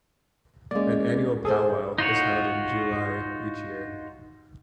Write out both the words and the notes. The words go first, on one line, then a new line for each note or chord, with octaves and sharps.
An annual pow-wow is held in July each year.
G#3 A#3 C#4 D5
G#4 A4 C5 D5 G#5
D#4 F4 F#4 C#5